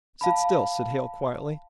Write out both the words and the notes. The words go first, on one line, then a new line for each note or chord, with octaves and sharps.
"Sit still," said Hale, quietly.
F5 A5 B5